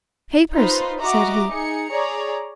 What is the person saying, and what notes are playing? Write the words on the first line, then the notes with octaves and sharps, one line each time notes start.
"Papers!" said he.
D#4 F4 B4 C5
F#4 D#5 E5 A#5 D6
D#4 G#4 C#7
G#4 C#5 D5 A#5